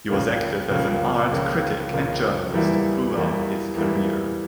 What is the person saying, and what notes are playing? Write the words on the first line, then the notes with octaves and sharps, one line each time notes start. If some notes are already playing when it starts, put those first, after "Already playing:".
He was active as an art critic and journalist throughout his career.
C#2 C#3 F3 A#3
C#2 C#3 F3 A#3
C#2 C#3 F3 A#3
C#2 C#3 F3 A#3
E2 E3 G3 A#3 E4
E2 E3 G3 A#3 E4
E2 E3 G3 A#3 E4